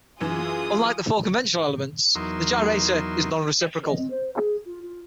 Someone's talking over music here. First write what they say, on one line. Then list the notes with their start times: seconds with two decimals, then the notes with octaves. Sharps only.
Unlike the four conventional elements, the gyrator is non-reciprocal.
0.21 F#2 E3 F4 G#4 D#6
2.15 E2 F#3 D#4 A#4 C6 E6
3.83 D#5
3.98 C4
4.10 C5
4.35 G#4
4.65 F4
4.83 F4